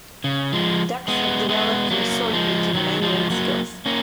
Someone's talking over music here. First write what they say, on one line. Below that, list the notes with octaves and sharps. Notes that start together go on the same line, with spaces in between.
Ducks have developed an assortment of angling skills.
C#3
F3 G#3
G#3 B3
G#3 B3
F#3 A#3
F3 G#3
D#3 F#3
F3 G#3
F#3 A#3
A#3 C#4